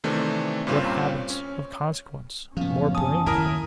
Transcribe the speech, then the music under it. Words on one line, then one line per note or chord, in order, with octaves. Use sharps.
What habits, of consequence, more blameable?
C3 D#3 E3 A3 C4 D4
G2 A#2 G3 C4 C#4 F4
C#4
F#1 A2 F3 B3 C#4 F5
G#5 A5 D#6
D#2 D#3 E4 A#4 D#6